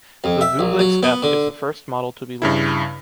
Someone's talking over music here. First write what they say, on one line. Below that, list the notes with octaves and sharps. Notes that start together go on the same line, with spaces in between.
The Vewlix-F is the first model to be launched.
F2
E5
A#1
F#3
B3
D3
G2 C#3 E4